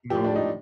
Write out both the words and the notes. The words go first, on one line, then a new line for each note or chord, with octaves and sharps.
you know,
A2 F3 G4
D4
D#4